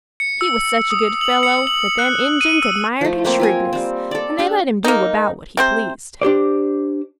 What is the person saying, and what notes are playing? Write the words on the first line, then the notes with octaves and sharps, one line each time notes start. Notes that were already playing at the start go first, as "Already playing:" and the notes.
He was such a good fellow that them Injuns admired his shrewdness, and they let him do about what he pleased.
C#7
E6
D#6
F#7
C#7
F#7
F#6
D#7
E6
F3 A3
A3 A#3 C4
F4 A#4 G#5
G3 C4
A4 D5
D4 G4
A#3 D#4
C3 C4 C5
D4 G4 C5 D5